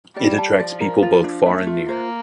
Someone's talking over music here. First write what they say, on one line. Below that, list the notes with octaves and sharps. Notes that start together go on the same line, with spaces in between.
It attracts people both far and near.
G3 D5
A5
F3 D5
A#4
F4
D4
A3 E5
F4
A#3 C5